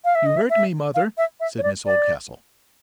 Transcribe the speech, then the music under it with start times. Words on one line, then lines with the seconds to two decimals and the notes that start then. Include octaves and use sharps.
"You hurt me, mother," said Miss Oldcastle.
0.05 F5
0.15 E5
0.26 D#5
0.37 E5
0.50 E5
0.95 F5
1.18 E5
1.40 E5
1.58 C#5
1.63 D5
1.86 D5